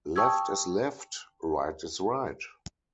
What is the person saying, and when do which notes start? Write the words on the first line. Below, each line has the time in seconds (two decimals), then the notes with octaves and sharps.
Left is left, right is right.
0.16 G5 A5 C#6 D#6 E6 G#6